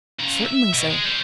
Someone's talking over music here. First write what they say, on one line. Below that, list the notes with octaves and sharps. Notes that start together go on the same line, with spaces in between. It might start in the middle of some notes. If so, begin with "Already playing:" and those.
"Certainly, sir."
C#3 A#5
E5
B2
G#3
G3 C5